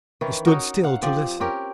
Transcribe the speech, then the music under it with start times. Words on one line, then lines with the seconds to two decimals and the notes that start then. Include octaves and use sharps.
He stood still to listen.
0.21 D#3 E3 C#4
0.45 C#4 D#4 F#4 A#4
0.83 F5 F#5
1.02 F3 C4 G4 D5
1.40 C4 C#4 G4 A#4